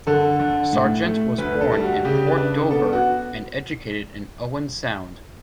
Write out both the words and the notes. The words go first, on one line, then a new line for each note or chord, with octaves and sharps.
Sargent was born in Port Dover, and educated in Owen Sound.
D3 A4
D3
A2
A3
D2 B4
A4
G3
F#4
C#3 G4
B4
D4
B3 A4
F#4